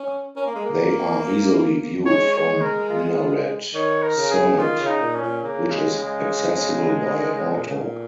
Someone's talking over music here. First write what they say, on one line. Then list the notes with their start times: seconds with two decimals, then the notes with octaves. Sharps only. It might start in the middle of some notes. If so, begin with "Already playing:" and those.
They are easily viewed from Minaret Summit, which is accessible by auto.
Already playing: C#4
0.36 C#4 A#4
0.46 A#3
0.56 G#3
0.65 A#3
2.06 G#3 C#5
2.33 C#5
2.61 A#4
2.90 F4
3.18 F4
3.74 D#3 C#5
4.02 A#4
4.17 C#3
4.30 G#4
4.58 D#3 F4
4.80 C#3
4.87 D#4
5.01 A#2
5.15 C#4
5.22 A#2
5.43 C#3 A#3
5.71 G#3
5.99 G#3
6.96 A#2
7.04 C#3
7.12 D#3
7.34 C#3
7.54 A#2
7.66 C#3
7.75 A#2